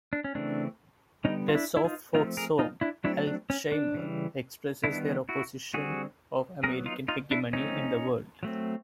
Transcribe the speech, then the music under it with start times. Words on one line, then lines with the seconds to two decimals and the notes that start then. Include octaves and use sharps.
Their soft folk song, "Alzheimer" expresses their opposition of American hegemony in the world.
0.13 D4
0.24 C#4
0.35 C#3 E3 A3 C4 D4
1.24 D3 G3 B3 C#4 D#4
1.48 F4
1.55 D4 E4
1.77 E4
1.84 D#4 F4
2.14 F3 A3 C4 D#4 F4
2.37 G#4 A#4
2.59 D#4 F4
2.81 D4 E4
3.04 F#3 A3 C4 D4 E4
3.27 D4
3.50 C#4
3.72 D4
3.94 C#3 E3 G3
4.84 D#3 G3 B3 D4 E4
5.29 E4 F#4
5.74 D3 G3 C4 F#4 G#4
6.63 F#3 B3 G#4 A#4
6.86 D#4 F4
7.08 D#4 F4
7.31 D4 E4
7.53 F3 A3 C4 C#4 D#4
8.43 F#3 A3 C4